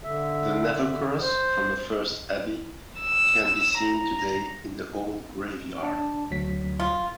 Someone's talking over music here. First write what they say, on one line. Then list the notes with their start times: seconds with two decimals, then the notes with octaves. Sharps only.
The Nethercross from the first abbey can be seen today in the old graveyard.
0.04 D3 E5
1.22 C5
3.00 E6
3.78 A#5
5.83 D4 A5
6.31 D2 F#3 B6
6.80 F4